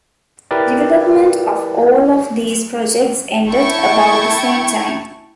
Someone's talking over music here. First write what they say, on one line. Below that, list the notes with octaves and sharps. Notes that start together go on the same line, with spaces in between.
Development of all of these projects ended about the same time.
E4 G4 A#4 B4 D5
E4 G5 A5 C#6 G#6